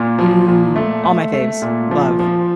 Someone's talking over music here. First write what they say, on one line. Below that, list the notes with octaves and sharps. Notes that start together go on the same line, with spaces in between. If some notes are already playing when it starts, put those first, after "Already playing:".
Mm, all my faves. Love.
Already playing: A#2
F3
A#2
A3
A3
A3
A#2
F3
F3